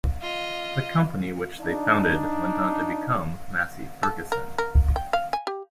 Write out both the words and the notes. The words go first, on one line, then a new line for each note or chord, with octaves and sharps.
The company which they founded went on to become Massey Ferguson.
F4 D#5
D4 D#4
A4
A#4
A#4
G5
F5
G#5
G4